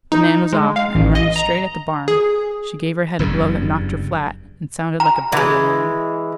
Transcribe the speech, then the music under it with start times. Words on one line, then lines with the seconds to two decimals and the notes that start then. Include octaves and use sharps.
But Nan was off, and running straight at the barn, she gave her head a blow that knocked her flat, and sounded like a battering-ram.
0.12 D#4
0.53 G#3
0.76 F5
0.95 A1
1.15 D#5
1.36 A#5
2.08 G#4
3.19 F#1 E2 G2
5.00 A#5
5.32 E3 G#3